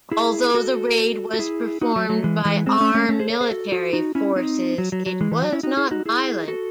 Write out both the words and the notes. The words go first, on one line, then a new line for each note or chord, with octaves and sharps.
Although the raid was performed by armed military forces it was not violent.
E4 G#4
F#4 A4
F#4
E4 G#4
D#4 F#4
F#3 A3
F#3 A3
E3 G#3
E3 G#3
G#3 C4
A3 C#4
A3 C#4
A3 C#4
G#4 C5
A4 C#5
G#4 C5
F#4 A4
F#4 A4
D#4 F#4
C#4 E4
C4 D#4
F#3
F#3
F#3
E3 G#3
E3
F#3
C#4 E4
D#4 F#4
E4 G#4
D#4 F#4
E4 G#4
F#4 A4